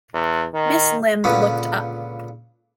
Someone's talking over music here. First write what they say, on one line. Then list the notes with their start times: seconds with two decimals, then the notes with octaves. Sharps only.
Miss Limb looked up.
0.14 E2
0.54 D#3
1.24 C#2 A#2 D3 B3 C#4